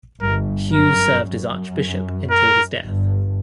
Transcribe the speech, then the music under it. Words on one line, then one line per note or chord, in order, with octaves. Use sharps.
Hughes served as archbishop until his death.
G1 G2 A#4
F#2 A#4
F#2
A#4
G1 G2